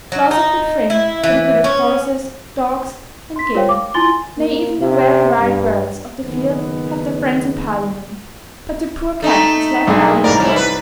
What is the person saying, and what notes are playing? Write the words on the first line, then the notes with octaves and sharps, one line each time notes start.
Laws have been framed for the good of horses, dogs, and game; nay, even the very wild birds of the field have their friends in Parliament; but the poor cat is left out in the cold.
F#3
D#4
E4
E3
C#4
C6 B6
F4 A#4 C5 C#5 F5 G5
D6
E4 F4 G#5 C6 A6 G7
A#3
C3
G2
F#1 D#3 G#3 B3
A3 D#4
B1 D4 G#4
C2 A#4 D5
F2 C#4 E4
B4